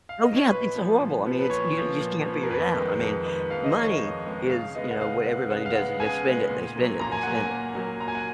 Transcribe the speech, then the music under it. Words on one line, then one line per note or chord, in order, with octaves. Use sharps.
Oh, yeah. It's horrible. I mean, it's you you just can't figure it out. I mean, money is, you know, what everybody does is they spend it, they spend it, they spend it. Yeah,
F5
D#5
C#5
A#2 B4
F3 B3
A#2
F3 B3
B4
A#2 C#5
F3 B3
A#2
F3 B3
A#4
F2 B4
D#3 G#3 B3
F2
D#3 G#3 B3
F2 F5
D#5
D#3 G#3 B3 C#5
D#5
F2
D#3 G#3 B3
C#3 F5
G#3 B3 D#5
F#5
C#3 F5
G#3 B3
C#3 F#5
F5
G#3 B3 F#5
C#3 G#5
G#3 B3
A#2
F#3 A#3
A#2 A#5
G#5
F#3 A#3 F#5
G#5
A#2
F#3 A#3
A#2 A#5
G#5
F#5